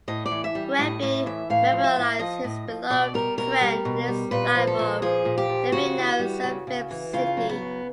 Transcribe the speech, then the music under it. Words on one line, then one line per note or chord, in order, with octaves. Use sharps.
Greville memorialized his beloved friend in his Life of the Renowned Sir Philip Sidney.
A2 D#5
D5
E3
E5
G3
A2 D#5
A2 E5
E3 E5
A2 F5
F3
E5
A2
F3 D#5
A2
F3
B2 D5
G3 A#4
B2 A#4
G3
B2
G3
A#2 B4
F3
A4
A#2
F3 G#4
A#2
G4
F3
C#3 F#4
E3
G3
C#3
C#3
E3
C#3 F4
F#3
B3
C#3